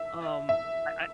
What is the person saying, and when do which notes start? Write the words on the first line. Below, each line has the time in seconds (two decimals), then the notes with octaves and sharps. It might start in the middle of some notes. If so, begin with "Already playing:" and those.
Um, I
Already playing: E5
0.49 E5